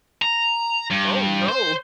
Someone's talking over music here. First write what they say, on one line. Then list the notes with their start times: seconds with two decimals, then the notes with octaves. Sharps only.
Oh, no!
0.22 A#5
0.91 G2
1.48 C5